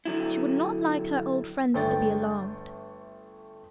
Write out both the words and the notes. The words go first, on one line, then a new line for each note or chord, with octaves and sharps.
She would not like her old friends to be alarmed.
D3 F#3 E4
G1 A3 D4 G5 C#6 A6